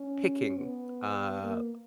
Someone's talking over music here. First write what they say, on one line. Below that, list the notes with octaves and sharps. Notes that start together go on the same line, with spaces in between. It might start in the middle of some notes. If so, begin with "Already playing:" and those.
picking, uh,
Already playing: C#4
B3
A#3